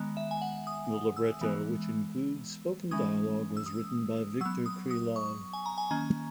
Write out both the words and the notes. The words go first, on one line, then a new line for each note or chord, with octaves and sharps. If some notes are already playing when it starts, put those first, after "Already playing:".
The libretto, which includes spoken dialogue, was written by Viktor Krylov.
Already playing: D#3 G#3 B3
E5
G#5
F#5
D#6
E6
E3 G#3 B3
E3 G#3 C#4 D#6
E6
D#6
F#3 B3 E6
D#6
D#6
C#6
G#5
A#5
G#5
D#3 A#3 C#4 A#5